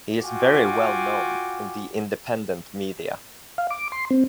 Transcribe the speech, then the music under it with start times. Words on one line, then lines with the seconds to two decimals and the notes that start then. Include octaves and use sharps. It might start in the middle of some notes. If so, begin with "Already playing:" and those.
He is very well known in the independent media.
0.22 F4 F#4 G5 G#5 D6
3.58 F5
3.70 D6
3.92 C6
4.11 C4